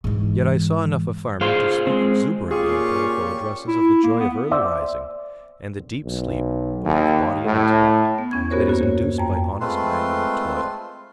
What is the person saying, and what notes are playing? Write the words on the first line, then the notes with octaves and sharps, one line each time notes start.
Yet I saw enough of farming to speak exuberantly in political addresses of the joy of early rising and the deep sleep, both of body and intellect, that is induced by honest manual toil.
G#2 E3
F4 G#4 C5 F5 C6
G#3 C4
A#2 C#4 F4 G4 G#4 C#6
E4
A#3
B3
C5 D5 E5
B1
D#2
A2
B3
E2 C#4 G#6
B3 F#4 G4 A#4 C5 C#5
G2 A#3 F#4
C#5
F2 G5 A#5
G#3 A3 C4 F4 B4 C6